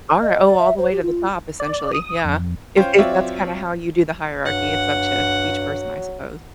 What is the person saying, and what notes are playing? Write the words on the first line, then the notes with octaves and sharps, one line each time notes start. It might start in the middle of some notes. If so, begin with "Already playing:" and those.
Alrigh oh, all the way to the top, essentially, yeah. If if that's kinda how you do the hierarchy, it's up to each person, I suppose.
D#5
D5
E5
C5
G4
F4
D5
D#6
F2
C#4 F4 C5 G5
F#3 C4 F4 C#5 D5 E5
G2 F#3 F#5